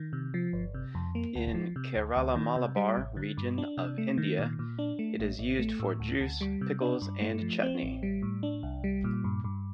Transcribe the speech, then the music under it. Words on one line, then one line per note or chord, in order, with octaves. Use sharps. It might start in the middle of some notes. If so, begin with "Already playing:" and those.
In Kerala Malabar region of India, it is used for juice, pickles and chutney.
Already playing: D#3
C3
F3
G1
C3
F2
A#3
D2
F3
C3
D2
D2
D#3
C3
G3
A1
D3
G2
D4
C3
A3
D#3
A#2
A#2
D4
A3
A1
A1
A3
A2
D2
D2
G3
C3
D4
G2
A3
F3
C4
A1
G3
A2
D4
C2
G3
A#2
G2
G2